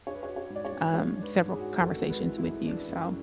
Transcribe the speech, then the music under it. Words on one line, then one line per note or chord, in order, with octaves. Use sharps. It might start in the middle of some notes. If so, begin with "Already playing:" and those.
um, several conversations with you. So,
D4 C#5
B4
C#5
F#4
C#5
G#2
D5
C#5
G#2
G#3 C#5
D4
B4
G#2
G#4
F#4
G#1 A4
G#3
B4
E3
E4
G#3
E3 D4
F#2